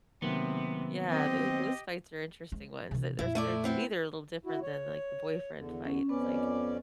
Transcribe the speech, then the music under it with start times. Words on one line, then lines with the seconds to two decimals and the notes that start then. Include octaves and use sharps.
Yeah, tho those fights are interesting ones, th there's, they're to me, they're a little different than, like, the boyfriend fight, it's like
0.22 C3 D#3 F#3 A#3 B3
1.11 C4 G4 D#5
2.52 F3 G#3
2.91 C3 E3
3.19 F2 A#2 E4
3.35 A3 E4 D5
3.64 B3 C4 E4
4.44 E4 F#4
4.62 C#5
5.57 E2 D3
5.85 C#4
6.09 F2 B3 C#4 B4 D5